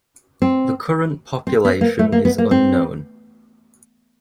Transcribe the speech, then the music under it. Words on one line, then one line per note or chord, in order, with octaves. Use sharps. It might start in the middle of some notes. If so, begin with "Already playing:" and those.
The current population is unknown.
C4
C4
B3
A#3
A3
A#3
B3
A#3
C4